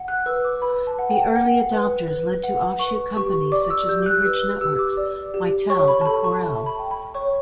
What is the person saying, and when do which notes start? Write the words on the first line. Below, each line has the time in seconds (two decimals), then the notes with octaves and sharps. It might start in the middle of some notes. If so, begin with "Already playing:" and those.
The early adopters led to offshoot companies such as Newbridge Networks, Mitel and Corel.
Already playing: F#5
0.08 F#6
0.26 B4 E6
0.44 D6
0.62 B4 B5
0.87 A5
0.99 F#5
1.11 G5
1.35 F#5
1.72 B4
2.08 B4
2.43 F#5
2.79 B4 C#6
3.16 G4 C#6
3.52 D5 D6
3.70 E6
3.88 G4 G6
4.06 F#6
4.25 B4 E6
4.44 F#6
4.61 G4 E6
4.79 D6
4.97 D5
5.34 G4
5.70 C#5 C#6
5.88 B5
6.01 A5
6.06 A4 B5
6.24 C#6
6.43 E5 A5
6.66 B5
6.79 G5
6.91 B5
7.14 C#5 C#6